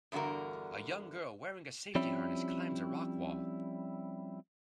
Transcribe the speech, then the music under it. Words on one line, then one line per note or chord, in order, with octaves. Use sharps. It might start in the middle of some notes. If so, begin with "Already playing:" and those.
A young girl wearing a safety harness climbs a rock wall.
E2 G2 D3 F#4 A#4
F3 G3 C4 C#4 E4